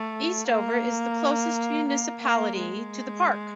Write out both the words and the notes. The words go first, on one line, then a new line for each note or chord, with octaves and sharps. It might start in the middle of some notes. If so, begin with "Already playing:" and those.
Eastover is the closest municipality to the park.
Already playing: A3
A#3
A#3
A#3
G#3